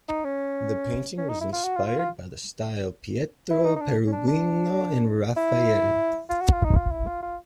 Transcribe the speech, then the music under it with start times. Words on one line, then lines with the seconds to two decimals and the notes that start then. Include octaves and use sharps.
The painting was inspired by the style of Pietro Perugino and Raphael.
0.09 D#4
0.24 C#4
1.18 C#4
1.29 D#4
1.41 E4
1.53 F4
1.64 F#4
1.76 F4
1.87 F4
1.99 F4
3.50 E4
3.65 D#4
3.76 D#4
3.81 D4
4.07 C#4
4.12 D4
4.28 D4
5.37 E4
6.30 F4
6.41 F#4
6.53 F4
6.65 D#4
6.76 F4
6.91 E4
7.07 F4
7.23 F4